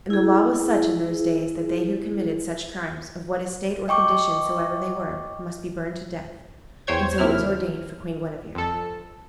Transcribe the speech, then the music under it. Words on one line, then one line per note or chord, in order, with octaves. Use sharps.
And the law was such in those days that they who committed such crimes, of what estate or condition soever they were, must be burned to death, and so it was ordained for Queen Guenever.
E4 G#4
D#5 G5 C#6 D6
E2 C5 C#5 G5 G#6
D#2 C3 E4 F6
F2 A4